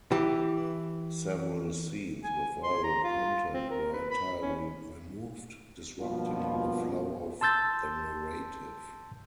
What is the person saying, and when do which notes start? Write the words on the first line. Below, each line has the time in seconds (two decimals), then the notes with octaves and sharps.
Several scenes with violent content were entirely removed, disrupting the flow of the narrative.
0.12 E3 G4
2.24 G#5
2.63 C6
2.84 A#5
3.04 F4
3.53 C4
3.70 A#4
3.93 B4
4.11 B5
4.42 C#4
6.00 G2 B2 F3 A#3 F4
7.41 A5 C6 E6 G6 A6